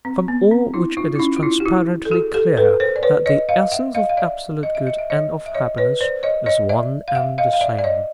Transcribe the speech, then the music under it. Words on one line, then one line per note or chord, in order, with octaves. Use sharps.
From all which it is transparently clear that the essence of absolute good and of happiness is one and the same.'
C4
B3
C4
D4 E4
D#4 F4
E4
C#4 D#4
F4
D4 E4
G4
E4 F#4
A4
F#4 G#4
G4 A4
A4 B4
A#4 C5
D5
B4 C#5
C#5 D#5
D#5 F5
E5 F#5
D#5 F5
F5
D5 E5
D#5
E5
D#5
E5
C#5 D#5
E5
C#5 D#5
B4 C#5
C5 D5
C#5 D#5
C#5 D#5
D5 E5
F5
E5 F#5
D#5 F5
F5
D5 E5
D5
C#5 D#5